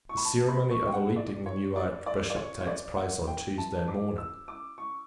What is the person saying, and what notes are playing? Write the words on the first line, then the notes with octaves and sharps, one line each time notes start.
The ceremony of electing the new Archbishop takes place on Tuesday morning.
C#6
B5
A5
B5
C#6
G5
F#5
D5
C#5
D5
D5
D5
C#5
C#5
D5
F#5
G5
A5
D6
E6
D6
C#6